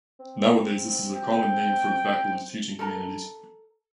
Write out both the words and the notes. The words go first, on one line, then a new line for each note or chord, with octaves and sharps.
Nowadays this is a common name for the faculties teaching humanities.
C4
G5
A4 A#4 A#5